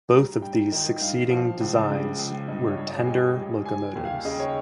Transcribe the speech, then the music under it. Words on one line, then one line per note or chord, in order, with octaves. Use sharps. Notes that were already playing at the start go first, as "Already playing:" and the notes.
Both of these succeeding designs were tender locomotives.
G3 A#5
G2 G5
D#3 D#5
G2 F5
F3 F5
C#2
C#3
C#2
G2 D#5
C#5
G2
D#5
G#5
G3 G5
G3
G3 G#5
D#2
F5
C#3 D#5
C#5